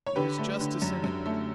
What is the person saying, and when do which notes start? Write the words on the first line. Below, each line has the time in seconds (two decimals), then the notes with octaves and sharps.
There is justice in it.
0.06 C#5
0.16 D3 G4 B4
0.38 A3
0.60 D3
0.82 F#2
1.04 F#2
1.26 A3